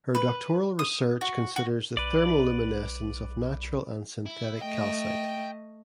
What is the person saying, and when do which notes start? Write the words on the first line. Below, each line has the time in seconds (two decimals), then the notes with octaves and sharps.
Her doctoral research considers the thermoluminescence of natural and synthetic calcite.
0.15 B4
0.79 D#6
1.21 F#4
1.56 F#4
1.97 B1 B4 D5
4.26 E4
4.62 A3 D#5 G5